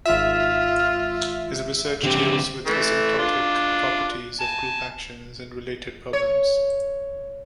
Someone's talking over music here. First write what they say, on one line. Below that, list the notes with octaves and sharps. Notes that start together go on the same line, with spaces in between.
His research deals with asymptotic properties of group actions and related problems.
G#1 F4 E5
D3 C4 G4
E3 A3
D4 F4
G#5 A5
C#5